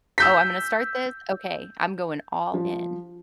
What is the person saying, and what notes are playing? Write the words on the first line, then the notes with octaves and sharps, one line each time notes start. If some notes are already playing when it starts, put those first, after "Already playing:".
"Oh, I'm gonna start this? Okay. I'm going all in."
E6 G6 B6
F3